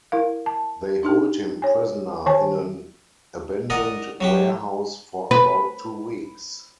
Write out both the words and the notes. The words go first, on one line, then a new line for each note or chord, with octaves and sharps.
They hold him prisoner in an abandoned warehouse for about two weeks.
E4 A#4 F5
A5
D4 D#4 G4
C#5 G#5
D#3 C#5 G#5 A5
A#4 D5 D#5 F#5
F#3 F#4 G4
B4